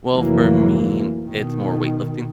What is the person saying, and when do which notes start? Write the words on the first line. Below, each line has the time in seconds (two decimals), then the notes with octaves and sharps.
Well, for me, it's more weightlifting.
0.13 F1 E3 F#3 A#3
1.23 B2 D#3